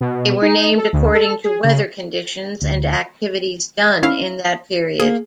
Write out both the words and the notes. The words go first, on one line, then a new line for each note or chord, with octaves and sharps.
They were named according to weather conditions and activities done in that period.
B2
D#4
A4
D2
A4
G#4
C#3
D2
C#4 E4 F5
A#3 G#4